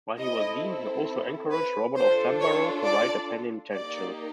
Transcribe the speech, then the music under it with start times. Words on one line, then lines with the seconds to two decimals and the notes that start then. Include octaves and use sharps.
While he was dean, he also encouraged Robert of Flamborough to write a penitential.
0.18 C4 E4 A4 D#5
1.51 B4
1.96 D4 F4 A4 C5
2.40 C#5
2.85 D5
3.74 A#3 D#4 G4 D5